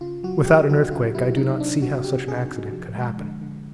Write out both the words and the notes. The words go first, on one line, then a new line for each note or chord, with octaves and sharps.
Without an earthquake I do not see how such an accident could happen.
C#3 F4
F#3 F#4
C#3 G4
F#3 F#4
C#3 F4
F#3 E4
C3 D#4
C3 D4
C3 F#4
C3 G4
C3 G#4
C3
F3
G#3
D3
D3